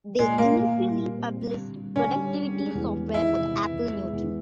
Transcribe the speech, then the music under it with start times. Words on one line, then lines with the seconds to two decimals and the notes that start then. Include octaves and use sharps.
They initially published productivity software for the Apple Newton.
0.19 A#2 G#3
0.38 A#2 A#3
0.58 A#2
0.78 G3
0.98 A#2
1.18 C4
1.37 G3
1.57 D3
1.76 G3
1.96 D3 C#4
2.15 G3
2.36 G3
2.55 G#3
2.75 E2
2.94 G#3
3.14 D#3 E4
3.34 C3
3.54 E2
3.74 E2
3.93 G#3
4.13 E2